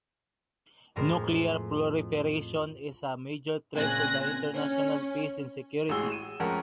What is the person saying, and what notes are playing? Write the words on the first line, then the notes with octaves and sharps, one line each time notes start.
Nuclear proliferation is a major threat to the international peace and security.
F2 A2 G#3 A#4 C5
A#2 C#3 C4 G#5 F#6 A#6
C#4
A1 G#3 F#4 G#4 E6 G7
D#7 E7
F1 F2 G#3 C#4 A#4 F#5